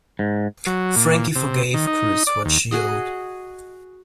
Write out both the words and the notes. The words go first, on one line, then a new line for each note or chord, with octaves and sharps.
Frankie forgave Chris what she owed.
G#2
F#3
A#2
C3
D#3
D#4
D5
D#2
F#4 G#4 D#5